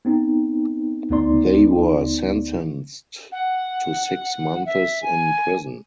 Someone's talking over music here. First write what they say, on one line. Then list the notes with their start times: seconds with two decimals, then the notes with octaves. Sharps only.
They were sentenced to six months in prison.
0.05 B3 C4 D#4
1.10 D2 B3 D#4 D5 C6
3.32 F#5
4.66 E5
5.02 G#5